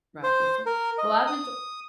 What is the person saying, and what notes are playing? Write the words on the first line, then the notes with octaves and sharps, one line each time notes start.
Right, yes, sir, well, I've enjo
C5
A#4
D#5
D#6